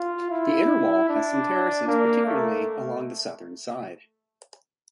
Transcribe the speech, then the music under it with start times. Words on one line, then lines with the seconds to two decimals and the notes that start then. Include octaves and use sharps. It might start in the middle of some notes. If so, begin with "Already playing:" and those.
The inner wall has some terraces, particularly along the southern side.
Already playing: F4
0.31 E4
1.09 D4
1.88 A#3
2.27 A3